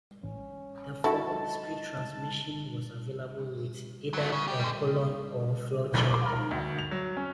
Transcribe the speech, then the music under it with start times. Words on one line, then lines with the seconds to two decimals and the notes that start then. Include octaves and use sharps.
The four-speed transmission was available with either a column or floor change.
0.23 A1 C#4
1.04 D3 D#4 E4 F#4 A4 A5
4.14 F#3 A3
4.32 C#3
4.48 G4
4.60 D3 G3
6.09 D6
6.26 A#4
6.51 D2
6.79 F7
6.91 F#3
7.17 C#4